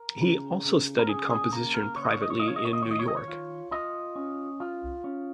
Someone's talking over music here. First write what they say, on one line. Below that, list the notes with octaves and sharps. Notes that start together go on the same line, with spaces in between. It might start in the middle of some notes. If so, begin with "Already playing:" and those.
He also studied composition privately in New York.
Already playing: A#4
C#3
C#3
A#4
C#3 G#4
G#4
A#3 A#4
A#4
C#3 C#5
D#5
C#5
D#5
C#5
F4 D#5
C#5
D#5
C#5
D#5
D#3 C#5
D#5
C#5
D#5
C#5
F4
F4 D#5
C#4
F4
C#4